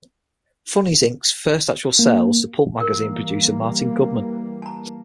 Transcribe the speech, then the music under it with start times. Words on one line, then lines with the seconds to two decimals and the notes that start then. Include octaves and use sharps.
Funnies, Inc.'s first actual sale was to pulp magazine publisher Martin Goodman.
1.99 A#3
2.80 E3 G3 A#3 A#4
4.62 A5 A#5